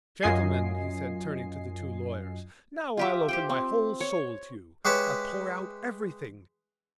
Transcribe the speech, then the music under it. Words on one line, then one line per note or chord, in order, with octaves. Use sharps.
Gentlemen," he said, turning to the two lawyers, "now I'll open my whole soul to you; I'll pour out everything.
F#2 F4 D#5 G#5 C7
F4 G4 E5
G4 C5 G5
C4
C#5
G#3 G4 B4 C#5 E5 B5